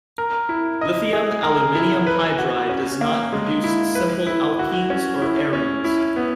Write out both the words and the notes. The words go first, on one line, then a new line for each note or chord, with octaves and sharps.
Lithium aluminium hydride does not reduce simple alkenes or arenes.
A#4
E4
D#5
G#4
A#4
E4
B4
F#4
C#4
A#3
G#3
E4
B4
E4
F#4
C#4
E4
C#4
E4
B3